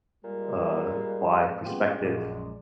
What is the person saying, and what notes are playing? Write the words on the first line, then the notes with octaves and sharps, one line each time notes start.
uh, by perspective,
A#2 G3 G#3
C#3 G3 A#3 B3 F4 G4
A#1 F#2 F3 G#3 D5